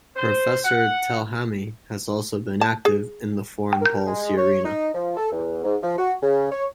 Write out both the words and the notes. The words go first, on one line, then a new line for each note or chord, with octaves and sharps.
Professor Telhami has also been active in the foreign policy arena.
C5
F#5
A5
G#4
A#4
G#3
C#5
D#4
F3
A4
E2
G#2
F3
F#4
C#3
C#5